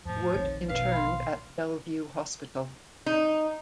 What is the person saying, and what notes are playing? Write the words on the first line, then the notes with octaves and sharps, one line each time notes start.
Wood interned at Bellevue Hospital.
F2 A2 F3
F1 A#1 D#3 C#5
B2 B4 F5
B5 C6
D#4